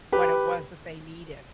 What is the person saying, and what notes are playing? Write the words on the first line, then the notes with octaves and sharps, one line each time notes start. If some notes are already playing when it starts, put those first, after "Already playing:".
what it was that they needed.
G4 B4